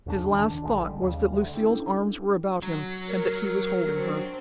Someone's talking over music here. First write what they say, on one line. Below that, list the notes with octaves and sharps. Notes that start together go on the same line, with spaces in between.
His last thought was that Lucille's arms were about him, and that he was holding her.
E2 C#3 D4
D#1 D#3 C4 D4
A#1 D3 E3 G#3
G3
D#2 C#3 G3
D2
C#4 D4 E4 G4 A4 G5
F#3
A#4
C4 D4